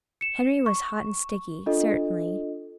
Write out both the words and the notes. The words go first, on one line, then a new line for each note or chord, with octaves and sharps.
Henry was hot and sticky, certainly.
C#7 E7
C#6
D4 F4 A4 D#5